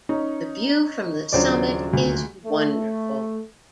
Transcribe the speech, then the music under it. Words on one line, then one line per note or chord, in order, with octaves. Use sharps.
The view from the summit is wonderful.
C#4 D#4
D#1 C#3 F#3 D4 C5 D5
D2
A3